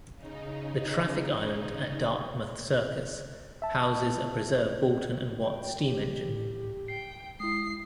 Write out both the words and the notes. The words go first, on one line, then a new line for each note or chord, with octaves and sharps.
The traffic island at Dartmouth Circus houses a preserved Boulton and Watt steam engine.
C#3 D#4
E5 A5
G5
G4
A2
G5 C7
G#3 E4 D#6 C7